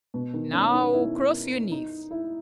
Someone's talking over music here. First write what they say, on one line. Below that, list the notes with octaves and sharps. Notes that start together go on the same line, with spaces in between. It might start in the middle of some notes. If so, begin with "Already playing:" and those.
"Now cross your knees."
B2
D#3
C#4
D#4
E4
D#4
E4